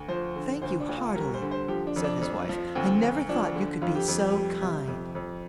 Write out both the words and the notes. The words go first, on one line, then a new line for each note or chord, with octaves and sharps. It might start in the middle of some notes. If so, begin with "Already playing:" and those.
'Thank you heartily!' said his wife; 'I never thought you could be so kind.'
Already playing: D2
F3 C5
D3
D2 C5
D4
D2
F4
G3 A#4
C5
D3
C5
F3 G4
D4
F2
D4
F2
F3
D2 C4
D2
F3 D4
D3
F2 F4
G4
F2 G4
G4
G3
C3
F2
F2